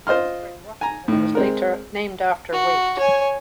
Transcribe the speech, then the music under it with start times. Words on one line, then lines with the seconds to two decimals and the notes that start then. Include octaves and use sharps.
Waitsburg, Washington, was later named after Wait.
0.07 F4 C5 D#5 C6 F6
0.81 G#5 A#5
1.08 A2 D#3
1.35 G#3 C4 A#4
2.53 F#4
2.99 C#5 G#5